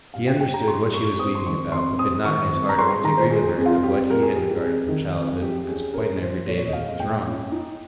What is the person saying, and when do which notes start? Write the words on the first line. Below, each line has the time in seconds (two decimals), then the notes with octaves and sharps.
He understood what she was weeping about, but could not in his heart at once agree with her that what he had regarded from childhood as quite an everyday event was wrong.
0.14 G2 F5
0.27 G5
0.41 G3 G5
0.54 A#5
0.67 G2 C6
0.93 G2 C#6
1.19 C4 D#6
1.35 C6
1.47 D#3 C#6
1.72 F2 C6
1.99 C4 D#6
2.25 D#3 C#6
2.51 C4
2.69 A#5
2.77 G#3 C6
2.91 C6
3.04 D#3 A#5
3.18 C5
3.30 G#3 G#4
3.49 G#4
3.58 F2
3.66 F4
3.83 F2 G4
4.10 G#3 A#4
4.23 G#4
4.36 G#3 G4
4.51 G#4
4.62 F2
4.89 D#3
5.16 F2
5.42 F3 G4
5.67 C#4 G#4
5.94 C#4 A#4
6.21 F3 C5
6.47 A#2 C#5
6.58 C#5
6.66 D#5
6.73 G#3 F5
7.00 A#2 G5
7.27 C#4
7.52 D#4